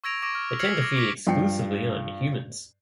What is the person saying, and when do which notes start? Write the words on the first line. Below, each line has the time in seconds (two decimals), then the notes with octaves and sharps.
They tend to feed exclusively on humans.
0.04 C#6 E6 G#6 A#6 D7 F7
0.22 C#6 D6 A#6 D7
0.35 F6
0.59 F6 G#6 A#6 C7 C#7 F#7
0.82 D6 A#6
0.97 C#6 D6 A#6 B6 D7
1.27 G2 F3 G5 C7 C#7